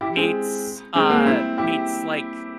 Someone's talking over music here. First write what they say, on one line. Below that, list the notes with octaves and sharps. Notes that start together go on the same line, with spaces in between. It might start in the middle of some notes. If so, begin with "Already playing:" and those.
meets, uh, meets, like,
E4 G4
G#3 C4
G#3 C4
G3 A#3
C4 E4
E4 G4